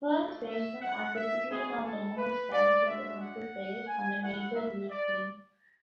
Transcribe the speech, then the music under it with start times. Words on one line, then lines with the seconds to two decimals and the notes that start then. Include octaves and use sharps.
First basemen are typically not the most talented defensive players on a major-league team.
0.14 A3 D4 F#4
0.47 E5
0.82 F#5
1.15 E5
1.50 G#3 B3 F#4 G#4
1.84 A4
2.17 B4
2.52 D5
2.85 G#3 D4 F#4 E5
3.19 F#5
3.88 G#5
4.22 A3 E4 F#5
4.55 E5
4.90 D5